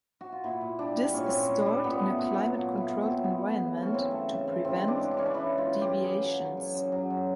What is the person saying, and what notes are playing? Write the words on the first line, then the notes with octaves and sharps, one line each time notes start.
This is stored in a climate-controlled environment to prevent deviations.
F#4
F4
A#2 E4
A#2
G3 D4
G3
A#2 C#4
A#2 C4
C#4
G3
G3
A#2 B3
A3
A#2
F#3
A#2
A3
B3
A#2
C4
F#3
C#3 B3
A3
C#3
E3
C#4
C#3 C4
A3
C#3
E3
C#3 C4
G#3
D4
C#3
D4
E3 C#4
D4
C#3 E4
G#3
F4
C#3
G4
E3
F#2 G#4
F#3
F#2
C#3
F#2
F#3
F#2